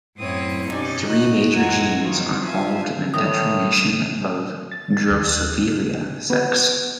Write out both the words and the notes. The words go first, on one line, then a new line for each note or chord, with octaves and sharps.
Three major genes are involved in determination of "Drosophila" sex.
F#2 A2 C4 E4 C#5 D#6
B2 C#4 D#4 G4 D5 G#5
A2 F#4 D#5 F#6
F#2 E3 C4 F#5 A#5 G#6
D#3 C4 D#4 F4 F#4
F4 C5 E5 F5 G#5
A2 D#3 E3 D#6
A6
D#2
F#6
B3